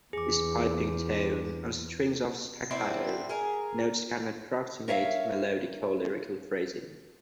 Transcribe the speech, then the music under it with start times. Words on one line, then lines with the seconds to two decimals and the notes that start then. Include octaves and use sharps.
His piping tone and strings of staccato notes can't approximate melodic or lyrical phrasing.
0.13 E2 G#4 D6
2.71 B3 C4 D4 E4
3.29 G#4 A#4
4.88 A#4 C#5 E5 F5